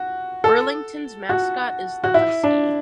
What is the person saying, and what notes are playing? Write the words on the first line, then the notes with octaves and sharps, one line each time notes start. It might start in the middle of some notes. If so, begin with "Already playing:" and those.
Burlington's mascot is the Husky.
Already playing: F#4
A4
F#4
F#4
E4
D4